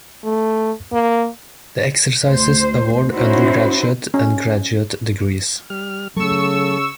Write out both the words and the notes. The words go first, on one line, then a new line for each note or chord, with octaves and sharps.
The exercises award undergraduate and graduate degrees.
A3
A#3
D2 C5
C#4 D#4 E4 F#4 C5
C#4
G3 F6
C#3 F#3 A3 A4 C#6 E6